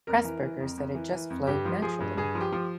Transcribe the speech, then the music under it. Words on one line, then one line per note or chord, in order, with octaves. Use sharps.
Pressburger said it just flowed naturally.
F2 A#4
E3
E3
F2
F2
E3
E3
F2
G2 G4
F3
F3 G#4
G2
G2 G#4
F3
G4
F3